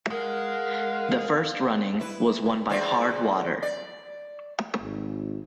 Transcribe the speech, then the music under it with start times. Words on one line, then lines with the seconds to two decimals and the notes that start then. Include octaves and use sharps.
The first running was won by Hard Water.
0.10 G#3 A#4 F5 F#5
2.00 E4 B4
2.69 E2 C4 D5
3.62 D5
4.81 G#1